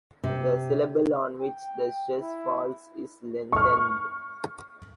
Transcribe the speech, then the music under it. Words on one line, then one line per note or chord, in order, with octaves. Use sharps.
The syllable on which the stress falls is lengthened.
C3
G5
E4
C#6 F6